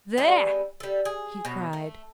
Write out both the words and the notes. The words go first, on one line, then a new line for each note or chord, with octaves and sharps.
"There!" he cried.
G3 G#3 B3 E4
G3 A4
G#4
B2 F#3
A3